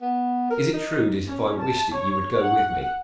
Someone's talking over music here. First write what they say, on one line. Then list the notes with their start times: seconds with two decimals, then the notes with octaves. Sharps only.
"Is it true that if I wished it you would go with me?"
0.01 B3
0.50 A#4
0.73 D#4
1.29 C#4
1.61 A5
1.97 C#5
2.39 F#5